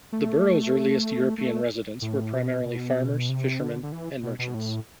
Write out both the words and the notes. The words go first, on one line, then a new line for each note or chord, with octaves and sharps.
The borough's earliest European residents were primarily farmers, fishermen and merchants.
A3
A3
A2
B2
B2
C3
D3
D3
E3
B2
B2
A2